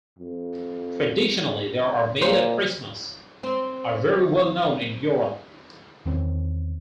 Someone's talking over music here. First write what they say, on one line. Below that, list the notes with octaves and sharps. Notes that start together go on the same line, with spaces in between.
Traditionally, they are made at Christmas, are very well known in Europe.
F2
A#2 C5 C#5
C4 C5
E2 D#3 C4 C#4